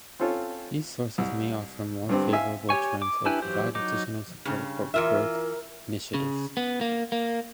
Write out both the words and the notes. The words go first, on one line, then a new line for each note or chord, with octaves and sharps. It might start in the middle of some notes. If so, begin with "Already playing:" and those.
These sources may offer more favorable terms or provide additional support for growth initiatives.
C4 C#4 F4 A4 C#5
C2
G2 D3 C4 G4
E5 F5 G#5
G4 C#5 G#5 C#6
D6
D4 E4 G4 B4 G#5
E3 F#3 G4 C5
F#3 D#4 D6
G2 C#3
E3 F4 A#4 E5
C#3
B3
A#3
A#3